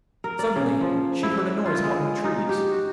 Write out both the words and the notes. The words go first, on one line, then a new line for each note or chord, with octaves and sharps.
Suddenly she heard a noise among the trees.
A#4
D5
C#3
F3
E4
F4
G#3
D#4
G4
F#4